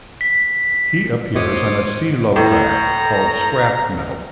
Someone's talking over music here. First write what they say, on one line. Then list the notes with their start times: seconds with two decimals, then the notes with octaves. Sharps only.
He appears on a Cee-Lo track called Scrap Metal.
0.21 B6
1.35 A2 C5 C#5 D#5 D6 D#6
2.36 A2 A#5